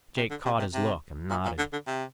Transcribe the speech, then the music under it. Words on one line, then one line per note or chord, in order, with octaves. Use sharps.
Jake caught his look and nodded.
C3
D3
C3
C3
C3
A#2
A#2
D3
D3
C3